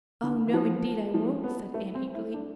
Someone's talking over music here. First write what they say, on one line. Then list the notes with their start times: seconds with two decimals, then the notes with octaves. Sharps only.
"Oh, no, indeed, I won't," said Anne eagerly.
0.23 D3
0.47 E3
0.54 F3
1.14 F3
1.44 B3
1.74 A3
1.95 C4
2.14 E4
2.34 D4